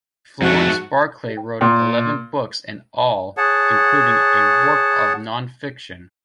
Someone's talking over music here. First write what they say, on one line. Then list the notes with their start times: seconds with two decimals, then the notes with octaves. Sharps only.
Florence Barclay wrote eleven books in all, including a work of non-fiction.
0.42 F2 G#2 A3 F#4
1.61 A#2
3.37 G#4 C#5 F#5 A5